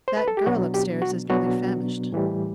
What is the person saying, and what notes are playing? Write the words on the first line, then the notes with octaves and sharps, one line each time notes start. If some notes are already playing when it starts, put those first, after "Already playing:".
"That girl up-stairs is nearly famished."
C5
B4
A4
G4
B2 F#3 B3 D4 F#4
G4
F#4
B2 F#3 B3 D4 F#4
A2 E3 G3